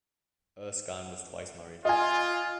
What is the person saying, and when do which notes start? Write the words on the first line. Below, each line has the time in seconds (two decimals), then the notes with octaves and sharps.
Erskine was twice married.
1.85 F4 D#5 G#5